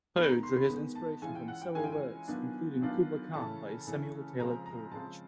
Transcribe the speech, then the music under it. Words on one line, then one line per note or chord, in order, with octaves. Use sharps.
Poe drew his inspiration from several works, including "Kubla Khan" by Samuel Taylor Coleridge.
D#3 G#3 B3 B5
A#5
C6
B5
D#3 G#3 B3
A5
E3 G#3 C#4 F4 G#5
G5
F#5
G5
E3 G#3 C#4 F4 G#5
G5
G#5
D#3 F#3 B3 D4 F4
D#3 F#3 B3 D4 F4
C#3 E3 A3 C#4 A5
C#3 E3 A3 C#4
C#3 F3 G#3 C4 A#5
A#5
C#3 F3 G#3 C4 A5